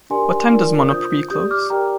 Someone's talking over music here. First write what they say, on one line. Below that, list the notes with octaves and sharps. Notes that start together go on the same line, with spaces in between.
What time does Monoprix close?
D4 G4 A#4 D5 G#5 C6
D4 F4 A#4 D5
F4 C5 D#6 G6
G4 D5 D#6 G6
D6 F6
G4 A#4 D5 G5 A#5